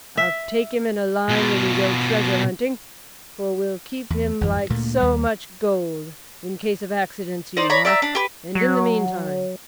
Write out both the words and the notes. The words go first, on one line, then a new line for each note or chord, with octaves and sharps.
I'll take him in a line when we go treasure-hunting, for we'll keep him like so much gold, in case of accidents, you mark, and in the meantime.
E5
B2 F4
E2
G#1 F2 E3
G2
D2 A#2 A3 A#3
D#2 G3
D#4 C5 D5
C#5 D5 A#5 B5
D5 E5 G5 A#5
D4
G4 B4
F#3